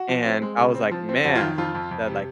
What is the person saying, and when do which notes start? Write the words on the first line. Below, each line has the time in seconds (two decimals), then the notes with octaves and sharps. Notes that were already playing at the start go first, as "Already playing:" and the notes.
And I was like, "Man," that, like,
Already playing: F#4
0.08 F3
0.25 C4
0.42 G#3
0.58 C#3
0.75 C4
0.91 F3
1.09 C4
1.24 F2 F#4
1.35 F4
1.41 D#3
1.58 F2 F4
1.75 F2
1.91 F2
2.07 C3